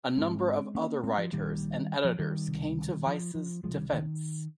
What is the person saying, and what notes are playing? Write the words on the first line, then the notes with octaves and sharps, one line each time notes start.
A number of other writers and editors came to Vice's defense.
G#1 G#2 G#3 C4
A#3 C#4
G#3 C4
F3
A#1 A#2 D#3 G3
F3
D#3 G3
C#2 C3
F3
F3
C#2 C3 F3 G#3
D#3 G3
D#3